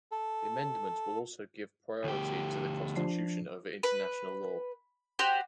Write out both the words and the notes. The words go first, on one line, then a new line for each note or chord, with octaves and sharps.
The amendments will also give priority to the Constitution over international law.
A4
D2 G4
F3 D4 C7
B4
F#4 G4 C5